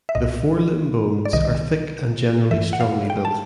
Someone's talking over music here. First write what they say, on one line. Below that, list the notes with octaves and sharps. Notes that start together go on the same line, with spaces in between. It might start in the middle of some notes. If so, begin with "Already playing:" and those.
The forelimb bones are thick and generally strongly built.
E5
C2 A#2 D#5
D5
C2 C3 D#3 D#5
G2 E3 E5
F#5
F5
G5
A5